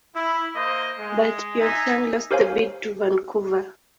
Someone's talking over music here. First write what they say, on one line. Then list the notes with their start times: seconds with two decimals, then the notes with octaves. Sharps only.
But Pyeongchang lost the bid to Vancouver.
0.15 E4
0.55 A#3 C5 D#5
0.99 G#3
1.61 D#4 E5 G#5
2.31 G4 A#4 C5 C#5 F5 G#5